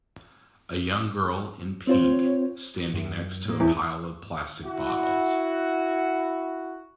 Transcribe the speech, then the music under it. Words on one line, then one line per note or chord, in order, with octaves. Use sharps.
A young girl in pink standing next to a pile of plastic bottles.
C4 F4 C5 C#5
F#2
A2 A#3
E2
E4 F#4